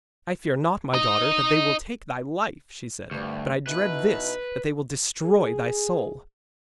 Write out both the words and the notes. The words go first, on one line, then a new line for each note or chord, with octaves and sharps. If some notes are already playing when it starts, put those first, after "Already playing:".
'I fear not, my daughter, that they will take thy life,' she said, 'but I dread this--that they will destroy thy soul!'
D#4 D#5
D2 G2
B2 D#4 E4 B4
G#4